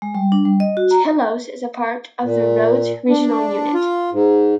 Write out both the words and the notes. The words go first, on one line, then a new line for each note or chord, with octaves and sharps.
Tilos is part of the Rhodes regional unit.
G#3
G3
D4
G3
D#5
F#4
A#5
A#2
D4
F4
G#2